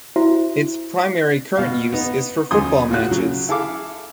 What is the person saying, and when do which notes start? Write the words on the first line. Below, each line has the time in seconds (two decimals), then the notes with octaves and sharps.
Its primary current use is for football matches.
0.16 E4 F#4 C5 E5
1.57 B2 F5
1.93 B3 D#4
2.51 D#2 C#3 F#3 G#5 C6 D#6
2.90 A2 F4 F#4 F#6
3.11 C#3 F#3
3.48 E4 G#4 A4 E5 F5 D6